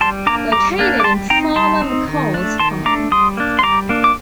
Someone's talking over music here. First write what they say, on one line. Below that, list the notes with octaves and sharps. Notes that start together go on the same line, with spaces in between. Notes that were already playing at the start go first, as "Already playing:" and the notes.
Located in Farmer McColls Farm.
G3 A5 C6
A#3 D4 A#5 D6
G3 A#5 D6
A#3 D4
D6
G3 A5 C6
C4 D#4 G5 A#5
G3 A5 C6
C4 D#4
D#3
A3 D4
D#3 A5 C6
A3 D4 A#5 D6
G3 C6 D#6
A#3 D4
C6
G3 A#5 D6
A#3 D4
D6